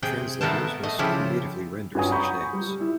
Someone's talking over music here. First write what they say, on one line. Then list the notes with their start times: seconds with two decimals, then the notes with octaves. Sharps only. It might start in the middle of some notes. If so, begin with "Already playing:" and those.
Translators must creatively render such names.
0.03 C3 G#4 G5
0.41 A3 B3 A#4 F5 G5 A5
0.83 A3 D#5
0.99 C#3 F3 E4 F4 G4
1.95 G2 C#4 F#4 G#5 D#6
2.12 A#5 B5 C#6 G6
2.53 G3
2.81 E4